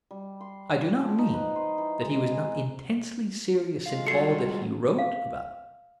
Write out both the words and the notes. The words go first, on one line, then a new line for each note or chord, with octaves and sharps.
I do not mean that he was not intensely serious in all that he wrote about the war.
G3
C6
D5
F3
D#4
B4
C5
E3
G#3
G#5
G#3 F4 F5
G3 F#4 A4 C#5 C7 C#7
F5